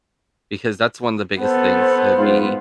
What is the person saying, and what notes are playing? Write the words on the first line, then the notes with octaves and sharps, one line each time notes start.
Because that's one of the biggest things to be
B3 A4 C5
G#2 F4